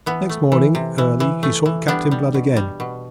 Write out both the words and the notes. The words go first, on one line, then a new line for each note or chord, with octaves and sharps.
Next morning early he sought Captain Blood again.
E3 B3
A3
E3
C3
E3
E3
A3
E3
G3 B3 D4
G3
B2
G3
B2